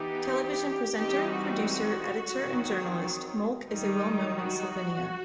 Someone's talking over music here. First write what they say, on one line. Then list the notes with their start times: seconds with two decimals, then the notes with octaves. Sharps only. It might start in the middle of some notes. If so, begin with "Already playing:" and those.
Television presenter, producer, editor and journalist, Molk is a well known in Slovenia.
Already playing: E3 B3 D#4 G4
0.96 E3 G3 C4 D#4 G4
1.30 F#4
2.32 D#3 F#3 C4
3.68 D#3 G3 D#4
4.36 F#4